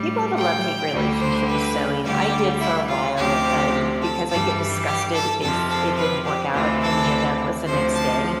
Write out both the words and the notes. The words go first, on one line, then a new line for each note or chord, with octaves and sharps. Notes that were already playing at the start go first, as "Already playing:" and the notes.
people have a love-hate relationship with sewing. I did for a while, um, because I get disgusted if it didn't work out, and the event was the next day.
Already playing: A2 G3
G5
D2 D3 G3
C5
B4
D2 D3 G3 G4
E4
F4
D2 C3 F3 G4
A4
G2 E3 G3 A4
G4
A4
F2 C3 F3 A4
A4
B4
G4
D2 C3 E3 F4
A4
D2 C3 F3 C5
A5